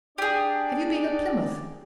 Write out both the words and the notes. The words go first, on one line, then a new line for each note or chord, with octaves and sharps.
'Have you been at Plymouth?
D4 G4 G#4 D5